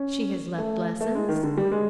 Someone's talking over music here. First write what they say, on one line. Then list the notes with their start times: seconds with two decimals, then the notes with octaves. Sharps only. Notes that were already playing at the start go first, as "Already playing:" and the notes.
She has left lessons.
Already playing: C#4
0.58 A3
1.01 A3
1.15 G#3
1.29 D#3
1.43 D3
1.57 G3
1.72 G#3